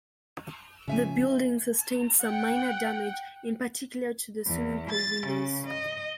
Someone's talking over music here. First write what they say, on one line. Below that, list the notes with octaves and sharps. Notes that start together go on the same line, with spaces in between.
The building sustained some minor damage, in particular to the swimming pool windows.
C#3 F3 C#4 E5 G#5
F#5 G5
E2
A6
C#3
D#5